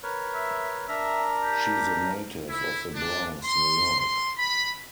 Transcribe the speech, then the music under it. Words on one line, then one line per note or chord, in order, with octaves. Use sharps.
She is a native of The Bronx, New York.
A#4 B4 C#5
E5
D4 A#4 E5 A#5
G4
E4
D4
C6
C6
B5